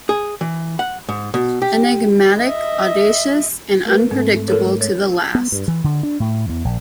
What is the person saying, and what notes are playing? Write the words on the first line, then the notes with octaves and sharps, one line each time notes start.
Enigmatic, audacious and unpredictable to the last.
G#4
E3
F#5
G#2
B2
G4
D#5 E5
A3 A#4 B4
G#2 A3 C4
A4 A#4 C#5
C#5
B3
G2
E3
D3
D4
A2
E2
A#1